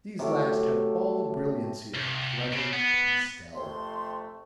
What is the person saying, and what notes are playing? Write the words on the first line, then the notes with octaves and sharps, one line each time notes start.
These last have all the brilliancy of a clever pastel.
C3 F#3 A3 D6
C2
C#3
B3
F2 C3 A3 C6